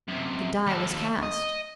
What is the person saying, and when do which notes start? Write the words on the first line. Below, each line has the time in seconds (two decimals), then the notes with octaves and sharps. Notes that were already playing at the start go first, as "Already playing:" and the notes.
The die was cast!
0.08 F#2 C3
0.67 D#2 A4
1.23 D#5